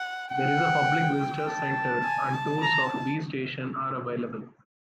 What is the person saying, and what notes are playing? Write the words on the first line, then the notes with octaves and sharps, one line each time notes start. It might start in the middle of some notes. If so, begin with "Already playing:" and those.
There is a public visitors centre and tours of 'B' station are available.
Already playing: F#5
F#5 G5
A5
G#5
A5
A#5